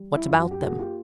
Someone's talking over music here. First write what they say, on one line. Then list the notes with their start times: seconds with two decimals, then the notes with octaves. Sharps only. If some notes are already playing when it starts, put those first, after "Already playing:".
"What about them?"
Already playing: G3
0.16 E4
0.27 F#2 F4
0.40 F#4
0.51 G4
0.61 A#3 F#4 G#4
0.79 F4 G4